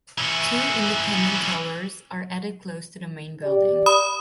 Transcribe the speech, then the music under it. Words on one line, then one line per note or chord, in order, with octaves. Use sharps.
Two independent towers are added close to the main building.
E3 C#4
G4 D5
B5 D#6